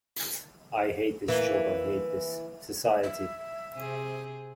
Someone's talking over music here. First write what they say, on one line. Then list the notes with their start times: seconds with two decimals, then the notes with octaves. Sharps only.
Few written works have their storyline taking place during Samo's Empire.
1.28 E3 A#3
3.03 E5
3.75 C3 C4 G#4